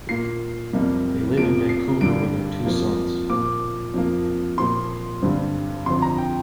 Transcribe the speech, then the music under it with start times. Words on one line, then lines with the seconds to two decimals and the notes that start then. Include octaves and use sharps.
They live in Vancouver with their two sons.
0.09 A#2 A#3 C7
0.73 F2 C3 G3 A#3
1.37 F2 C3 F3 A#3 D7
1.69 C7
2.01 G2 D3 G3 D7
2.65 F2 F3 A#3
3.30 A#2 F3 A#3 D6
3.94 F2 F3 A#3
4.58 A#2 F3 A#3 C6
5.22 G2 D3 G3 C4
5.86 F2 D3 F3 C4 C6
6.02 A#5
6.18 G5